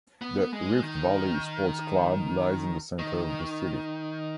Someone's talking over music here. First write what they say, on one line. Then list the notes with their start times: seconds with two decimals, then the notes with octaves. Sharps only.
The Rift Valley Sports Club lies in the centre of the city.
0.22 B3
0.53 G#3
0.83 D#3
2.99 D#3